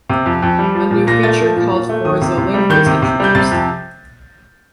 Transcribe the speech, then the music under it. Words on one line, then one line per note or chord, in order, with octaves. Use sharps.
A new feature called "Forza Link" was introduced.
C3
F2
F2
G3
F3
A#2
A#2 A#6
A3 A6
F3
A#2
A#2
A3
D#3 D#6
C3
C3
G3
D#3 G6
C3
C3
G3 G6
C3 A6
F2